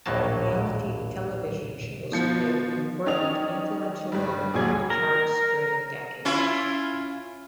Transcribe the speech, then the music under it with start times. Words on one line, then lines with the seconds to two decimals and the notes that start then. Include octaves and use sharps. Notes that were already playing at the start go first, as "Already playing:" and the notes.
Reality television shows played an important, influential role on the charts during the decade.
0.06 A#1 D#2 A2 F#3 A#3 A5
2.12 B2 F3 C#7
3.06 D#3 C#4 D5 D#6 F7
4.12 G2 G3
4.54 A1 D2 A#2 F#3 G#4 G#6
4.90 A#4
6.25 C#4 E4 F4